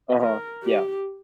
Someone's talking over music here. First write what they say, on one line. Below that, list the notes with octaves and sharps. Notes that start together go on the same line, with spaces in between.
Uh-huh. Yeah.
A#4
G4